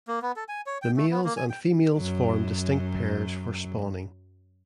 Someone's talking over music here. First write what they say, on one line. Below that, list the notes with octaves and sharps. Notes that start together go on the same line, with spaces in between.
The males and females form distinct pairs for spawning.
A#3
B3
A4
G#5
C#5
G5
A3
B3
A#3
G#5
G5
F#2 F#3